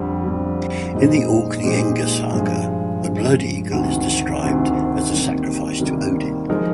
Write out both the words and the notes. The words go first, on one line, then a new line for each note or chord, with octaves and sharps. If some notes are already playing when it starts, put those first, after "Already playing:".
In the Orkneyinga saga, the blood eagle is described as a sacrifice to Odin.
Already playing: F2 D3 G3
F2 D3 G3
A#2 G#3 D#4 G4 C5
A#2 G#3 D#4 G4 C5
G2 F3 G#3
G2 F3 G#3
D2 C3 D#3
D2 C3 D#3
C3 D#3 G3 A#3
C3 D#3 G3 A#3
F3 G#3 D#4 A#4